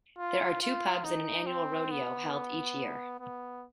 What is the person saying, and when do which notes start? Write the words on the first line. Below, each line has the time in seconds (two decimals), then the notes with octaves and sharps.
There are two pubs and an annual rodeo held each year.
0.18 F4
0.62 F4
1.05 D#4
1.47 C4
1.91 B3
3.20 B3